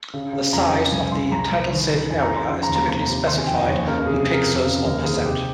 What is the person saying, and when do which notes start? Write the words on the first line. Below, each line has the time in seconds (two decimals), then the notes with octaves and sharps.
The size of the title-safe area is typically specified in pixels or percent.
0.14 C#3
0.33 C#3
0.53 F2 A#5
0.66 G#5
0.72 C#3
0.92 C2 G#5
1.11 C2 C6
1.32 C2 A#5
1.52 C2
1.71 D#3
1.90 D#3
2.10 F2 G#5
2.23 A#5
2.30 F2
2.36 C6
2.49 C#3 C6
2.63 A#5
2.69 D#2
2.76 A#5
2.88 C3 A#5
3.08 C3
3.27 D#3 C6
3.38 G#5
3.47 F2 G5
3.57 D#5
3.67 D#2 C#5
3.87 C#3 A#4
3.99 A#4
4.06 C3 G#4
4.20 G#4
4.27 C3
4.33 A#4
4.45 F2
4.65 C#3
4.85 D#2 A#4
5.05 D#3 G#4
5.25 C3 G4